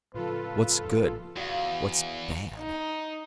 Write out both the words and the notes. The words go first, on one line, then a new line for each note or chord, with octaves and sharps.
What's good, what's bad?
A2 C#3 F3 F4 A4 B4
E2 F#4 F5
D#4